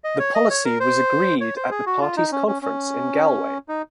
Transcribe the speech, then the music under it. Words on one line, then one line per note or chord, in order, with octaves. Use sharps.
The policy was agreed at the party's conference in Galway.
D#5
C#5
D#5
C#5
A#4
C5
C#5
C5
G#4
F#4
F4
D#4
C#4
C#4
C#4
D#4